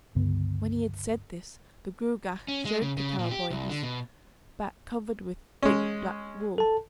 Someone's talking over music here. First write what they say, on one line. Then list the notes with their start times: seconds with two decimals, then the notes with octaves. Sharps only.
When he had said this, the Gruagach showed the cowboy his back covered with thick black wool.
0.15 C#2 G2 D3 B3
2.48 C#4
2.65 G#3
2.82 C#3
2.98 C#3
3.19 A#2
3.31 G4
3.50 C2
3.70 D3
3.83 B2
5.63 G#3 C#4
6.58 A4 A5